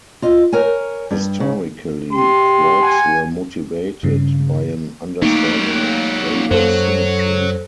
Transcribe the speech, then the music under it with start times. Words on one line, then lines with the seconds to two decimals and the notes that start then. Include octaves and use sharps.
Historically, quarks were motivated by an understanding of flavour symmetry.
0.22 F4 D#5
0.52 A#4 C#5 G#5
1.11 G2
1.40 C#3
2.13 G4 C6
2.82 F#5 G#5
4.03 G2 C#3
5.22 F#3 A3 A#3 D#4 G4
6.51 F#2 F#3 A4 C5